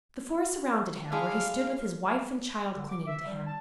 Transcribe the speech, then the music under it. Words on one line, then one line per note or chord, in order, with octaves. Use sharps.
The four surrounded him, where he stood with his wife and child clinging to him.
G#3 D4 E4 F5
D3
D6
E5
G3
A5